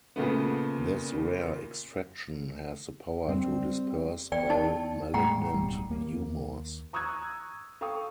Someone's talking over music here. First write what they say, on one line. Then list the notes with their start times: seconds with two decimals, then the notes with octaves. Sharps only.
This rare extraction has the power to disperse all malignant humors.
0.16 A#2 C#3 A3 B3
3.27 G3 C4 C5 G5
4.32 E2 D5 G5
4.50 D#4 A5
5.14 A2 G3 G#3 F#5 G5 A#5
5.54 D1 B1 G3
5.90 D#2 A#3
6.93 A#5 C#6 D#6 E6 F#6 G#6
7.81 A4 F5 G5 C#6 D#6